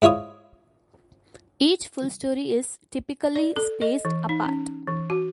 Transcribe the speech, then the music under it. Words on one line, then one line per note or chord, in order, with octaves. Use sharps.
Each full story is typically spaced apart.
G#2 E4 F4 C#5 D#6
D5
A4
D#5
E3
D#4
C#4
E3
F#4